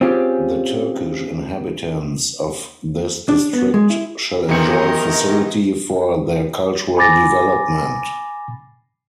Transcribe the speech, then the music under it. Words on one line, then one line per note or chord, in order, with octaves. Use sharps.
The Turkish inhabitants of this district shall enjoy facility for their cultural development.
C4 C#4 F4 G4 G#4
D4
B3
G#3
E4
C3 D#3 E3 B3 G#4 A#4 D#5 C#7
G#5 B5 D6 A6 A#6